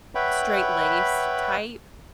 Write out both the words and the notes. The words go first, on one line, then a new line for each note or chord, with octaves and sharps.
straight-laced type,
B4 C#5 E5 F#5 G5 B5